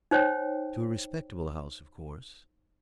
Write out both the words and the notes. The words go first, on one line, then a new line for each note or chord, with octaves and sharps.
"To a respectable house, of course."
D#4 C5 C#5 G5